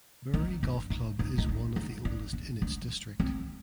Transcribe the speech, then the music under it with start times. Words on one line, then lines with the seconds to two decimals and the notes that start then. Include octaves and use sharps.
Bury Golf Club is one of the oldest in its district.
0.34 D#4
0.63 D4
0.90 D#4
1.19 D#4
1.38 D#4
1.48 D4
1.76 D#4
2.05 D4
2.33 D4
2.62 D4
3.20 C4